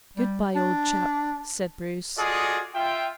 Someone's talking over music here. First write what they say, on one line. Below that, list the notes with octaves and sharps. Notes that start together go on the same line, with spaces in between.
"Good-bye, old chap," said Bruce.
G3
D4
F4 F#4 G#4 A4 D5 D#5
F4 E5 G5